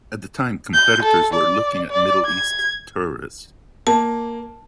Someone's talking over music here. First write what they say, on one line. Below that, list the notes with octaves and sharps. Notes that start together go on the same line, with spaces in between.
At the time, competitors were looking at Middle East terrorists.
G6
A4
D5
D5
G#6
A#3 A5